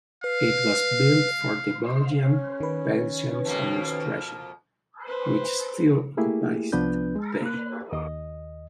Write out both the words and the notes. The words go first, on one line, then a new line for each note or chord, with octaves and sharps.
It was built for the Belgian Pensions Administration, which still occupies it today.
B4 F5
C#4
D#3 B4
F2 B2 A#3
B4 C5
A3 A#3 E4 G4 G#4
C2 F3 B3 D4 B4 G6
G#3
A#3 F#6
D#2 D#5